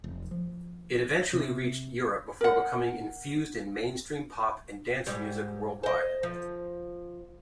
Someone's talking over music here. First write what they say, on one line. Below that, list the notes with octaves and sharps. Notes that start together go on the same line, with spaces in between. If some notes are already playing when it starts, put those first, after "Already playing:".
It eventually reached Europe before becoming infused in mainstream pop and dance music worldwide.
F1
F3
C3
A#4 F#5
G#2 G3
C5 D#5
F3